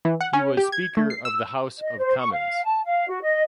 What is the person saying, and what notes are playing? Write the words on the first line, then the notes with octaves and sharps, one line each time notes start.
He was Speaker of the House of Commons.
E3
F#5
C#4
G4
G#6
A3
C7
E6
D#5
C5
C#6
F5
A5
F5
F#4
D#5